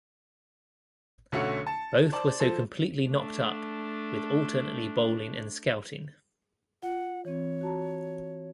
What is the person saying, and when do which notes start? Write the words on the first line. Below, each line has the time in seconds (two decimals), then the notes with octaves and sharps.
Both were so completely knocked up, with alternately bowling and scouting.
1.32 B1 D3 A3 C#4 F#4 C#7
1.67 A5
2.12 C5 D5 A5
2.40 F3 A4 C5
3.09 A3 D4
6.83 F4 F#5
7.25 E3 C4 C#5
7.61 F#4 A5 A#5